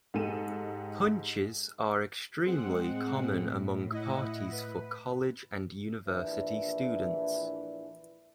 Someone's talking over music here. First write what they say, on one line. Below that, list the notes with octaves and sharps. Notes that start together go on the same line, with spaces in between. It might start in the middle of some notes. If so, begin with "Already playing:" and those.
Punches are extremely common among parties for college and university students.
G#2 G#3 G4 A4 D#7 E7
G#3 C4 F#5
A2
E4 D#5 F#5
B4
A#1 E3 D4 E4